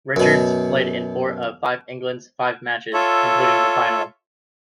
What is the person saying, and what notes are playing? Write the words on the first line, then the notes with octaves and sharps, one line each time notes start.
Richards played in four of England's five matches, including the final.
F#2 B2
F4 A4 C#5 E5